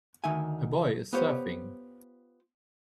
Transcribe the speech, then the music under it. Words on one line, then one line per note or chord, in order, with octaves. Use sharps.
A boy is surfing.
D2 D#3 D#4 E5 G#5
B3 F4 G4 C5 C#5